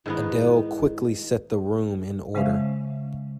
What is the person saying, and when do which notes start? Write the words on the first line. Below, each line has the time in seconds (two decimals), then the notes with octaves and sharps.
Adele quickly set the room in order.
0.06 G#2 D#3 B3 E4
2.35 C#3 G#3 C#4 C5 E5 F5